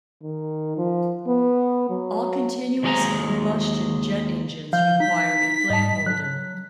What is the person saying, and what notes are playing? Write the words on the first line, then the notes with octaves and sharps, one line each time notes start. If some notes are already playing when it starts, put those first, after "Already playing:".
All continuous-combustion jet engines require a flame holder.
D#3
F3
B3
F#3
D#2 F#3 G#3 D5 G#5 A#5
F3 F5 G6
D#4 B6
G#2 D#5 A5
F#3 F#6